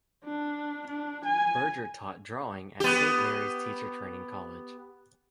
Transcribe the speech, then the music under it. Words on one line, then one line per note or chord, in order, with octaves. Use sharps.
Berger taught drawing at Saint Mary's teacher training college.
D4
D4
G#5
B3 G4